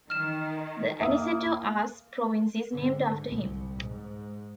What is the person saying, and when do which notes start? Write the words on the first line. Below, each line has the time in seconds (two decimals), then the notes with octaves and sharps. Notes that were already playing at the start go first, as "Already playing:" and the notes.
The Aniceto Arce Province is named after him.
0.10 D#3 F6 E7
1.00 A#3 E5 D#6
2.71 G#2 D3
3.27 C2
3.79 G#2